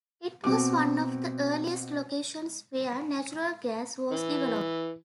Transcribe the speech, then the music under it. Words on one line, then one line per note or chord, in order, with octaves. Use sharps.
It was one of the earliest locations where natural gas was developed.
B2 C4 F#4 D6
E3